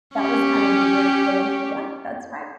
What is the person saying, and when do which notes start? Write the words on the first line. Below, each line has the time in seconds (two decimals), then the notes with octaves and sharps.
that was kind of a weird push. Yeah, that's right.
0.14 C#4 G4